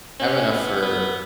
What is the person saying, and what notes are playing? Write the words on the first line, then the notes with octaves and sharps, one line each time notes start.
I have enough for
C#4
B3
B3